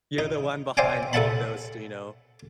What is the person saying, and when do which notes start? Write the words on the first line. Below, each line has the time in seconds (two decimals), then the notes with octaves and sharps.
You're the one behind all of those d you know,
0.18 D#4
0.77 C5 D5 E5 F5 G5 G#5
1.13 A4 B4 E5 F#5 A5 B5